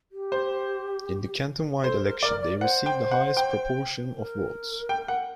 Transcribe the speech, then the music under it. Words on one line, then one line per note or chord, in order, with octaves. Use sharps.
In the canton-wide election they received the highest proportion of votes.
G4
C5
A4 C5
A#4
A#4 D5
D5
C5 F#5
G5
F#5
G5
A#4
G5
F#5